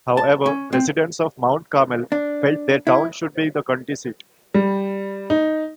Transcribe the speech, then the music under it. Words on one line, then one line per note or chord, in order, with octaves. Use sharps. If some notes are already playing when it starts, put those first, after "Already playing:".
However, residents of Mount Carmel felt their town should be the county seat.
A5
C#4
C4
D4
E4
G3
D#4